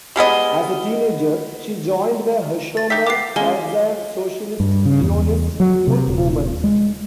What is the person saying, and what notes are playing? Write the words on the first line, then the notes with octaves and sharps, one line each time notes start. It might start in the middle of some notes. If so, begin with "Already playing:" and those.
As a teenager she joined the HaShomer HaTzair Socialist-Zionist youth movement.
G3 G#3 B3 D#5
A6
D#4 G4 E5 B6
B3 G4 D6 C7
G#3 A#3 C#4 G#5 G7
G2
C#3
E2
F#3
C3
D#1
G#3